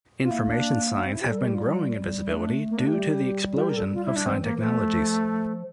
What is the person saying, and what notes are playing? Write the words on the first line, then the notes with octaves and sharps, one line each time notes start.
Information signs have been growing in visibility due to the explosion of sign technologies.
F4
A#3 E4
D4
D4
C4
E4
G4
G3 A4
A#4
G4
F4
G3
G3
A3 D4
A#3
D4
G4
G3
F4
G4
A#4
A4
F4
E4
D4
E3 C4
A#3
F3 A3